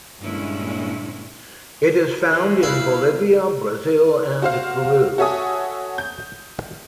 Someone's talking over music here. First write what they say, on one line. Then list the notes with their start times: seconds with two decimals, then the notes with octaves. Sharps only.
It is found in Bolivia, Brazil and Peru.
0.21 G2 A#2 D3 G#3 C#4 E4
2.30 C#3 E3
2.63 E4 B4 F5
4.42 F#4 C5 F5
5.18 F#4 A4 C#5 E5 G#5 D#6
5.98 G6